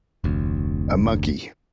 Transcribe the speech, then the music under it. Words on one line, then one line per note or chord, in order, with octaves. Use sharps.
a monkey,
F1 D2